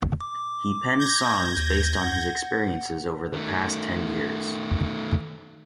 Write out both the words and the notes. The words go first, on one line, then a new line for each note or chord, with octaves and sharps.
He penned songs based on his experiences over the past ten years.
D6
G6 G#6 A#6
D#2
F#5
D#3 A3